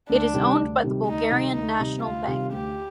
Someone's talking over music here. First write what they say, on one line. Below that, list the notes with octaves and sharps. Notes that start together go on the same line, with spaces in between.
It is owned by the Bulgarian National Bank.
D2 D4
C3 D#3 G3
D2
C3 D#3 G3
D2 D#4
C3 D#3 G3
D2 D#4
C3 D#3 G3
D2 F4
C3 D#3 G3
D2 G4